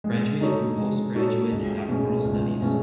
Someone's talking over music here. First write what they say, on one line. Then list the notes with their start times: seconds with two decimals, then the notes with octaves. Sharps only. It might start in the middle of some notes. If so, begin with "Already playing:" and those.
Graduated from postgraduate and doctoral studies.
0.04 G#3
0.41 D#4 F#4 A4 C#5
0.78 G#3
1.15 D#4 F#4 A4 C#5
1.52 C#2
1.89 B2 A3 C#4 G#4
2.25 C#2
2.62 B2 A3 C#4 G#4